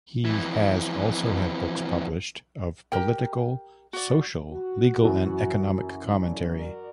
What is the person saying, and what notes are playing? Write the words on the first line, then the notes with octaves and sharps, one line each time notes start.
He has also had books published of political, social, legal and economic commentary.
F2 E3
G4 A#4 G5
F#4 D5
F#4
F#2 E3 F#3
C#3 D4
F#4 A#4 D5